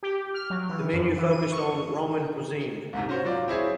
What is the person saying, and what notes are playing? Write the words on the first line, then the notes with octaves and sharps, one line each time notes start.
The menu focused on Roman cuisine.
G4
F6
F#3
E3
F#2
E3
D#7
C#6
C2 G#2 C3
C#4 F#4 C5
F#3 F4 D5
C4 E4 G#4 C#5